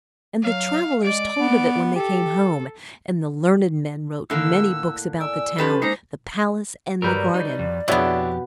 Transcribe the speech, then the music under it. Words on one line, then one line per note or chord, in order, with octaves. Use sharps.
And the travelers told of it when they came home; and the learned men wrote many books about the town, the palace, and the garden.
F#3 F5
G#3 D5 D7
B3
G4 A4
A2 D3 A#3 E6
D5 G#5 E6
F3 C#4 G4 A4 B4
G#3 A#3 D#4 C5 A#5
G2 F#3 G3 A#4 B4 D5
D#4
F2
F2 B2 B3 D4 E4 G4 C#5